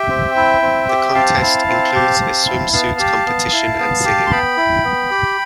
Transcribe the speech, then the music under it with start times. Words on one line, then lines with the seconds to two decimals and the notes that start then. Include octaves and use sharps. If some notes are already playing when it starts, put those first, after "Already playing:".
The contest includes a swimsuit competition and singing.
Already playing: G4 E5 G5
0.09 C4
0.36 E4
0.62 C4
0.89 G4
1.15 C4 F5 A5
1.42 E4
1.68 C4
1.94 G4
2.21 C4
2.47 E4
2.73 B3 F5 A5
2.99 G4
3.26 B3
3.52 E4
3.79 B3
4.05 G4
4.27 C6
4.31 B3 G5 B5
4.57 E4
4.84 B3
5.11 G4